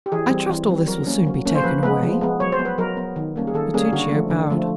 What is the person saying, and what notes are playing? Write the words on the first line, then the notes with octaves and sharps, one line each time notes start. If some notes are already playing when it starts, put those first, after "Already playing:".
"I trust all this will soon be taken away." Bertuccio bowed.
G4
E3 G#4
G3 C4
E3
G3 C4
F#3 A#4
A#3 C#4
F#3
A#3 C#4
C5
F3 B4
G#3 B3 B4
F3
G#3 B3
F#3 C#5
C5
B3
B4
F#3 A#4
B3
D#3
G3 A#3 C#4
G#4
D#3 A4
G3 A#3 C#4 G#4
D3 F#4
F3 A3
D3
F3 A3